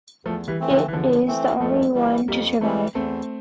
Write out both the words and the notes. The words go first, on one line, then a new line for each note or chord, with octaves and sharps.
It is the only one to survive.
E2 F3 A3
E3 G3
E3 A3 C4
D3 F3
E3
E2 D3 F3
E3 A3 C4
A#3
F2 F3 A3
E3 G3
F2 G3 A#3
E3 G3 A3 C4
E2 A3 C4